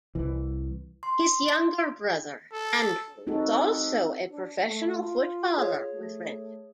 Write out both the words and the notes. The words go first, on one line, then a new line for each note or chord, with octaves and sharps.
His younger brother Andrew was also a professional footballer with Renton.
C2 E3
C6
A4
C4 D#4 F#4 G#4 A4
D4
A3
F4
G#4 C#5
A3